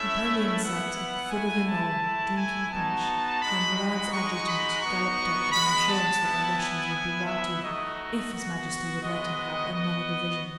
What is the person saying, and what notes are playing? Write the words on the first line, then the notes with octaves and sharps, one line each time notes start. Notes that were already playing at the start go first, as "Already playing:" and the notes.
Napoleon sat at the foot of the knoll, drinking punch, when Murat's adjutant galloped up with an assurance that the Russians would be routed if His Majesty would let him have another division.
Already playing: A3 C#4 E4 E5
B3 E4 F#5
A3 E4 G#5
A5
A3 E4
G#5
B3 D#4 F#4 A5
G#3 D#4 F#4 B5
B5
G#3 D#4 F#4 C#6
B5
B3 D#4 F#4 C#6
G#3 B3 F#4 B5
A5
B3 E4
G#5
B3 E4
E5
A3 D#4 F#4 D#5
B3 F#4
G#3 B3 F#4 D#5
B3 F#4 D#5